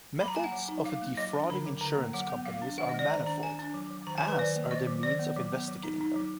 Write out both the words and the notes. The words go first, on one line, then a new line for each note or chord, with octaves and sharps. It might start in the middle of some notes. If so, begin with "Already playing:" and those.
Methods of defrauding insurance companies are manifold, as are the means of investigating them.
F#3 B5
A#5
A#3 G#5
F#5
F#3
D#4
F#3 F5
A#3
F#3 D#5
D4
D3 B5
F#3
D3 A#5
A#3
F#3 F#5
B3
F#3 F5
D4
D#3 F#5
D#5
G#3
D5
D#3 A#5
D4 A#5
D4 G#5
D4
F#3
F#3
D#3 A#5
G#5
F#3
B4
D#3 D5
A#3
D#3 D#5
F#3
D#3 D5
B3
F#3
B3
F#3
D#4
D#4
F#3